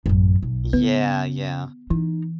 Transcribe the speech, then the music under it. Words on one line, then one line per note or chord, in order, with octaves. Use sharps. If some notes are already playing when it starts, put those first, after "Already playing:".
Yeah, yeah.
A1 F#2
B1
C#3 B3
E3 D#4